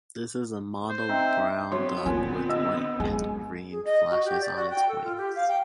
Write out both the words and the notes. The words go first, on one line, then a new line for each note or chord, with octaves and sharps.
This is a mottled brown duck with white and green flashes on its wings.
C5
C4 D#4 E5
F#3 B3 C4 C#5 C6
A#2 D3 G#5
D#5 E6
G#3 G#5
G#4
D#5
F#4
G4
D5
F#4
G5
A4
F4
G4
F5
G5